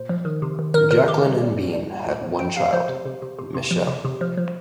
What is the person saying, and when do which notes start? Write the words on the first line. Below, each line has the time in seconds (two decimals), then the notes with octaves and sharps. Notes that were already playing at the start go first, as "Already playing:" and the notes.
Jacqueline and Bean had one child, Michele.
Already playing: A#2 C5
0.09 F3
0.25 D#3
0.42 C3
0.59 D#3
0.74 D#3 A#4
0.91 C3 A#4
1.08 D#3 G4
1.25 G3
1.41 G3
1.57 G3
1.73 G3
1.91 A#2
2.07 A#2
2.23 F3
2.39 F3 G5
2.56 C3 F5
2.73 F3 C5
2.89 C3
3.06 C3
3.22 C3
3.39 C3
3.54 C3
3.71 F3
3.88 C3
4.05 C3
4.21 F3
4.37 F3